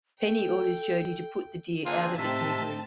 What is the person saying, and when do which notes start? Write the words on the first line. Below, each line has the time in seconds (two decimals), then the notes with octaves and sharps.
Penny orders Jody to put the deer out of its misery.
0.21 A4 G5
1.86 D3 A#3 C4 D4 F4 G#4 C5 G#5
2.18 A2 C3 C4 D#4 E5 A5